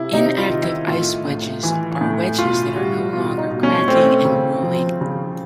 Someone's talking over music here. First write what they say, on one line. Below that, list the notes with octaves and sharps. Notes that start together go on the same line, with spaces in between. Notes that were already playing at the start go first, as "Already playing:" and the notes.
Inactive ice wedges are wedges that are no longer cracking and growing.
Already playing: C3 E4
C3 D#4
F4
D#3
E4
A2 F4
A2
E3
A2
B2 F4
G3 F#4
B2 F4
D#4
B2
C#4
A3 C4
C#3
F3
C#3